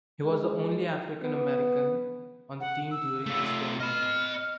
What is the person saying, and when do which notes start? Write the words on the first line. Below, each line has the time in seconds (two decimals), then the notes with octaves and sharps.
He was the only African American on the team during his tenure.
0.24 G#3
1.23 B3
2.60 F#5
2.91 E6
3.26 A3 F4
3.80 D#5 B5 F6